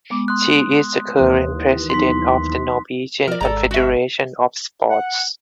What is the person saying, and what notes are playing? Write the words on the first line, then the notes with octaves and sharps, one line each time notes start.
She is the current president of the Norwegian Confederation of Sports.
G#3 B3 D6
C6 D#6 F#6
D#2 E3
F#3 B3 D#4 C6 B6
F3 A#4 D5
G#1 G#3 A4 D5 A#5
F#4 E5
F#5